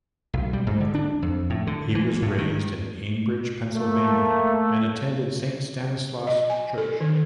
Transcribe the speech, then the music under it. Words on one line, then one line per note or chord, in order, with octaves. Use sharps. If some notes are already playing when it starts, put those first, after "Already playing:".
He was raised in Ambridge, Pennsylvania and attended Saint Stanislaus Church.
B1
G3
G#2
D3
D4
F2
A2
D3
E3
A2
D#3
A3 A#3
D#5
G#5
A4
D#3